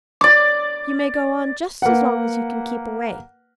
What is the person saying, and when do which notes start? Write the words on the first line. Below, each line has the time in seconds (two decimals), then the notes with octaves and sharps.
You may go on just as long as you can keep awake.
0.21 D5 D6
1.82 A#3 B4 F#5